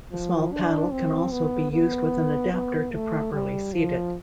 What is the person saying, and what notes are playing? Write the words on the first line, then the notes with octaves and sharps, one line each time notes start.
The small paddle can also be used with an adapter to properly seat it.
F3
D4
C4
B3
B3
B3
A3
G3
F3